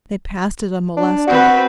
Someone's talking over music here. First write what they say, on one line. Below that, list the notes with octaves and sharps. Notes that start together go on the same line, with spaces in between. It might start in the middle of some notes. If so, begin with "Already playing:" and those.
They passed it unmolested.
D4
C4 F#4 B4